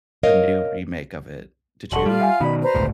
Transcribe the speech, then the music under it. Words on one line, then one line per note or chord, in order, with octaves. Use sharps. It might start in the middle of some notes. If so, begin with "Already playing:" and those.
the new remake of it. Did you?
A#4 C#5 D#5 F5
E1 A4 F#5 A5 C6 C#6 F#7
G3 F4 F5
E5 F#5 G#5
B2 D#3 F#4 D5 B5
B4 C5 A#5
G1 C#2 A2